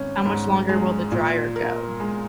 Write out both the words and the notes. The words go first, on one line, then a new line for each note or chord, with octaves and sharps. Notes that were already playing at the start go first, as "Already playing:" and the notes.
How much longer will the dryer go?
Already playing: G#1 C#4
G#2
G#3
A#2
A#4
G#3